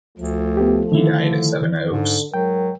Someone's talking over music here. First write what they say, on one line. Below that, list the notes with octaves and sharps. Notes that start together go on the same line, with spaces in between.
He died at Sevenoaks.
D2 F3 A3
B3 G4
D3 D#3 E4
G#2 D3
G#2 F#3 A#4 G5